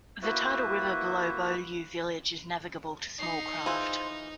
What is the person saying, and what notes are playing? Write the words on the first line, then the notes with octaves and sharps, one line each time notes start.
The tidal river below Beaulieu village is navigable to small craft.
A#3 E4 F#4 B4 C5 E5
D#4 C7
E3 F4 G#4 C5